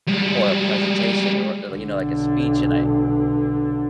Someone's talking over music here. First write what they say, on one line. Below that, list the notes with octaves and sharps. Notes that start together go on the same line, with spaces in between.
or a presentation or you know like a speech, and
G3 G#3
B1 D3